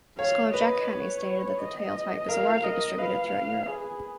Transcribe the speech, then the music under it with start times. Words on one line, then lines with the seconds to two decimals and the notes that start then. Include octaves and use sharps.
Scholar Jack Haney stated that the tale type is "widely distributed throughout Europe".
0.19 C#5 F5
0.54 B4 D#5
0.89 C#5
1.59 D#5
2.28 A#4 F5
2.63 A#4 D#5
2.98 B4 F5
3.68 G#4